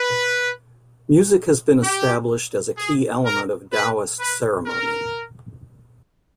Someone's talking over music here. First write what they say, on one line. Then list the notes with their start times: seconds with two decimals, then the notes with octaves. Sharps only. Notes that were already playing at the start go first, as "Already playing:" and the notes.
Music has been established as a key element of Taoist ceremony.
Already playing: B4
1.83 G4
2.78 G#4
3.25 A#4
3.73 B4
4.20 B4
4.67 A#4